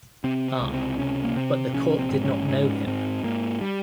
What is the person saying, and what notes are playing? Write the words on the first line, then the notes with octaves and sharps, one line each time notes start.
Ah, but the court did not know him.
C3 C4
C#2
C4
C3 C#4
A#3
C3 C4
A#1 C#4
C4
G#2
C#4
G#2 C#4
G#2 C4
G#2 A#3
G3